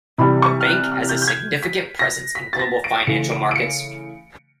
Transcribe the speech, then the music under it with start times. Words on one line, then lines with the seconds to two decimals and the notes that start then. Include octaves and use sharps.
The bank has a significant presence in global financial markets.
0.18 C3 E3 G3 B5
0.42 C#6
0.61 F6
0.67 F#6
0.91 F6
1.09 G6
1.22 G6
1.28 G#6
1.63 B6
1.99 A#6
2.35 B6
2.53 A6
2.59 A#6
2.84 D7
3.00 D7
3.07 C#3 E3 A3 C#7
3.32 D7
3.51 D7
3.56 C#7